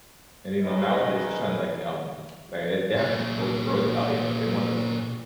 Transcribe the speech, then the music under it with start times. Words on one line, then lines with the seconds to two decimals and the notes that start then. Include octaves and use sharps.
And, you know, nowadays, it's trying to, like, um like, they they haven't rolled rolled it out yet, but they wanna, like,
0.62 D#3 G#3 B4 D#5
2.95 A#2 G#4